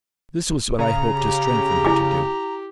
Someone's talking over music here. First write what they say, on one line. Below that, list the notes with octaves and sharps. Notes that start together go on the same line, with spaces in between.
This was what I hoped to strengthen her to do.
C#3 A#5
G4
E4 G#5 D6